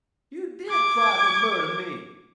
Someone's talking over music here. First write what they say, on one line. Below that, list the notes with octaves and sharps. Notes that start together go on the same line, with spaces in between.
"You did try to murder me!"
D6 G#6